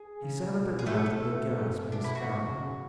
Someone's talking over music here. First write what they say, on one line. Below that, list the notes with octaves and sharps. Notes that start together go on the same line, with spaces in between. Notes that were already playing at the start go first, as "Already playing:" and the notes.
He sat up at last with a gasp and a scowl.
Already playing: G#4
C#3
B2
G#4
A2 A3 A4
G#2
B2
D4
E4
B2 F#4
C#3